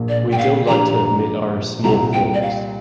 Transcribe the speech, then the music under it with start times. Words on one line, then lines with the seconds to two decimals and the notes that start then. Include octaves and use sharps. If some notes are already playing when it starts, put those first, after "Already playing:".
We don't like to admit our small faults.
Already playing: A#1 A#2 A#3
0.08 D5
0.32 G5
0.38 F5
0.67 A#2 F3 D4 G4 A#5
1.83 C2 A#2 G3 A#5
2.13 G5
2.34 D5
2.42 F5